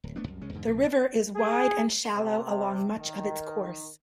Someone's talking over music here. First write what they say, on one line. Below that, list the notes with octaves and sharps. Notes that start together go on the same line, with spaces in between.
The river is wide and shallow along much of its course.
D1
F#1 A3 B3 D4
C2 F#2
C2 G#3 C#4
E2 G#2 D3
A#1 C3
G#4
C3
D#3